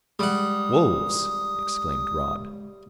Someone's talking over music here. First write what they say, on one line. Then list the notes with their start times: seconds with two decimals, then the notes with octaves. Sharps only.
"Wolves!" exclaimed Rod.
0.19 G3 G#3 F#5 D#6